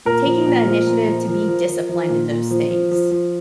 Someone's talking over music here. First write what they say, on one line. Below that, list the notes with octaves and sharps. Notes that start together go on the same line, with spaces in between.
taking the initiative to be disciplined in those things.
A#2 A#4
F3
A#2
F3
A#2
F3
F3
F3
F3
F3
A#2
A#2
F3
F3
F3
F3